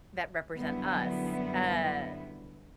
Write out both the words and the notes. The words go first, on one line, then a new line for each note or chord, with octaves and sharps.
that represent us. Uh,
F#2 D3 F#3 G3 B3 E4